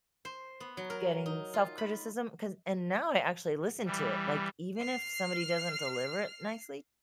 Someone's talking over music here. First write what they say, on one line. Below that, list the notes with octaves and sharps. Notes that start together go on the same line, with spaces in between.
getting self-criticism, 'cause and now I actually listen to it, like, even if somebody doesn't deliver it nicely
C5
B3
F#3
A#4
D#4
F4
B5
E3 G3
F6 C7